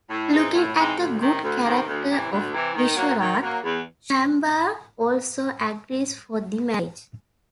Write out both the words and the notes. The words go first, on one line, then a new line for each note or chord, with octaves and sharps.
Looking at the good character of Vishvarath, Shambar also agrees for the marriage.
A2
E3 G#3 C4 D#4
A2
E3 G#3 C4 D#4
D2
C3 D#3
D2
C3 D#3
D2
C3 E3
D2
C3 E3
D#3
F#3 A#3
D#3
F#3 A#3
E2